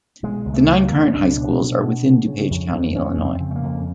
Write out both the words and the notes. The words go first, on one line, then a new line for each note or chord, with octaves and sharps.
The nine current high schools are within DuPage County, Illinois.
B2 G#3
C#2
A3
C#2
A#3
C#2
C#4
C#2 D4
B2
B2
B2
C#3
C#3
F2
F2
F2 C#4
F2
C4
C#3
A3
A#3
F2